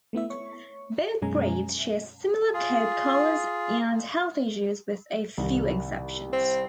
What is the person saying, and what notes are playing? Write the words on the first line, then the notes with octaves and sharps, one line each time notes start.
Both breeds share similar coat colors and health issues with a few exceptions.
A3 B3 E4 E5
C#5 C#6
F#2 B2 G#3 C#4 G#5 A#5
F4 G#4
C2 D#3
C4